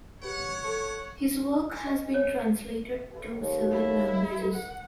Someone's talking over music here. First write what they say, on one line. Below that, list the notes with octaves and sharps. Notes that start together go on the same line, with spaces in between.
His work has been translated to several languages.
G4 B4 C#5 F#5
A4
G#5
D#5
C#5
D#2
E4
F#5